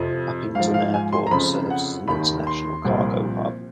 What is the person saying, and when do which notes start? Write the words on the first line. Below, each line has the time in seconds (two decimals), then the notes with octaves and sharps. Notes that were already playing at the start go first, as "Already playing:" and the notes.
Upington Airport serves as an international cargo hub.
Already playing: F2 C3 F3
0.55 G#2 F5
0.60 F3
0.74 F5
0.94 G#5
1.13 C6
1.27 A#5
1.31 F2 C#3 F3 B5
1.70 F#5
2.08 D#2 D#3 B5
2.47 C6
2.85 C2 A#2 F3